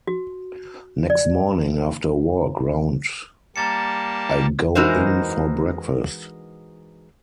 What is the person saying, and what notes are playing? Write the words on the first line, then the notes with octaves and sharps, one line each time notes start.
Next morning after a walk round I go in for breakfast.
F#4
D5
G3 A#3 A5 A#5 A6 C#7
E3 G#3 D#4 F#4 A#4 C5